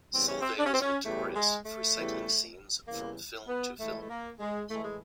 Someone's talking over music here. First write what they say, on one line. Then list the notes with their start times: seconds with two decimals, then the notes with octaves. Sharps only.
Solvay was notorious for recycling scenes from film to film.
0.13 E2 C#3 E3 G3 C4
0.26 C#4
0.40 C4
0.59 D4
0.66 C#4
0.73 C4
0.81 C#4
1.04 E2 C#3 E3 G3 A3
1.35 G#3
1.65 A3
1.96 E2 C#3 E3 G3
2.88 E2 C#3 E3 G3 A#3
3.48 B3
3.79 A2 E3 G#3 A3
4.01 A3
4.09 A#3
4.40 G#3
4.70 A2 E3 G#3 A3
4.83 G#3